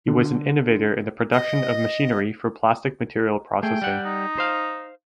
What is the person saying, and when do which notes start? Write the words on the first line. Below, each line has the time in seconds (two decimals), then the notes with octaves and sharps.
He was an innovator in the production of machinery for plastic material processing.
0.08 D3
1.32 D#5
3.63 A3 G#4 G5
3.82 G3 F#5
4.05 D#4
4.38 C5 F5